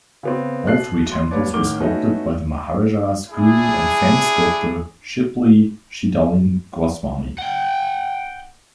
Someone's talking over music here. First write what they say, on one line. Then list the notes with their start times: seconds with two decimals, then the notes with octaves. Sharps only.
All three temples were sculpted by the maharaja's guru and famous sculptor, Shilpi Siddalingaswamy.
0.23 C#3 B3 C4
0.66 B2 F#6 C7 F#7
1.12 C6
1.31 F1 D#2 B4 C#5 D5
1.53 A1 D#3 A#4 D6 G7
1.80 A3 B3 C#4 D#4 F#4
3.30 D4 E4 G#4
7.39 F#5 G5